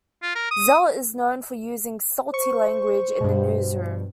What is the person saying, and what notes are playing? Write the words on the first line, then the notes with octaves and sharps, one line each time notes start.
Zell is known for using "salty" language in the newsroom.
F4
A#4
D#6
C5 C#6
G2 B2